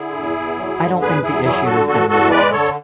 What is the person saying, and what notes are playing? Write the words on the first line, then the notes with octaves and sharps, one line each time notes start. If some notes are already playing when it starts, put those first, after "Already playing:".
I don't think the issue has been resolved.
Already playing: D3 E4 G#4
E2
E2
F#3
D3
E2 G#4 B4
E2 E4 G#4
F#3 E4 G#4
D3 F#4 A4
E2 F#4 A4
E2 F#4 A4
G#3 B4 D5
D3 A4 C#5